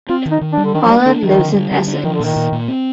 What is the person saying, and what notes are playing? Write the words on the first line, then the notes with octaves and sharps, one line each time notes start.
Holland lives in Essex.
C4 F4
D#3
D#4
D#3
D4
G3
D3
D#3 D4
F3
G3 A#3
D3 D4
D#3 F3
D3
G3
D3
D4
D#3 F3
D3
A#2 D#3
A#2
A#2
C4